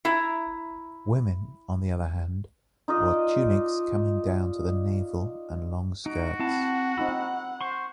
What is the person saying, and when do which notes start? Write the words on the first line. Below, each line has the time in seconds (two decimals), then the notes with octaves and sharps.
Women, on the other hand, wore tunics coming down to the navel and long skirts.
0.05 E4 A#5
2.88 D#4 F4 D5 D#5
6.06 D#4 F#4 D7
6.39 C4 E4 F#5 A5
6.98 C4 D#4 F4 B5 E6
7.61 C5 C6 C#6